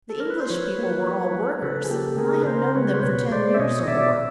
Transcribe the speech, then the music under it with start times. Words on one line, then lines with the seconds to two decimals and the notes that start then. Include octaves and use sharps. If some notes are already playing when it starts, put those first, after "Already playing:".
The English people were all workers, and I had known them for ten years or more.
0.10 A4
0.20 A#4
0.30 B4
0.40 C5
0.50 F3 B4 C#5
0.78 A#3
1.06 F3
1.35 F3
1.62 C#3 A4 B4
1.84 G#4
1.90 A#3 G4 A4
2.18 C#3 G#4 A#4
2.41 B4
2.46 C#3 A#4 C5
2.75 G#3 B4 C#5
2.94 C5
3.03 B2 B4 C#5
3.31 G#3 C5 D5
3.54 E5
3.59 B2 C#5 D#5
3.83 D#5
3.87 B2 D5 E5